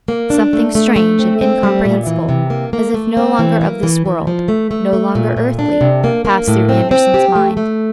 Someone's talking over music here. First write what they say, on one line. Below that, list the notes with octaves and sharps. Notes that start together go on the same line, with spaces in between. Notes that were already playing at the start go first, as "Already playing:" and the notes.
Something strange and incomprehensible, as if no longer of this world, no longer earthly, passed through Andersen's mind.
A#3
D4
A3
A3
A3
C4
C4
G3
A#2
E3
C3
A#3
A#3
A3
C4
E3
A#3
E3
E3
F3
A3
A3
A3
A#2
A#2
D4
C3
A#3
A#3
A2
C4
C4
G4
A3
A3